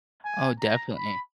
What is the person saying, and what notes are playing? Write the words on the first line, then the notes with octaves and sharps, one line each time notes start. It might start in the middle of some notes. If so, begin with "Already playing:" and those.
Oh, definitely.
G#5
A#5
B5